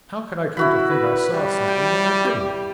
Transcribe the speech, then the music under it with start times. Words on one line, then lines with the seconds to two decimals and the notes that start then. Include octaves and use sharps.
How could I come to think I saw something when I didn't?'
0.57 E4 F#4 B5
0.91 B4
1.32 G3
1.68 G5
2.25 G4